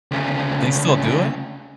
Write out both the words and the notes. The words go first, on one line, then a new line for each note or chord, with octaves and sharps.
they still do it?
D2 C#3